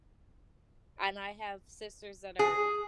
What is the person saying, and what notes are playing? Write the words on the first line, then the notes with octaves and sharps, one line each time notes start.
and I have sisters that are
G#4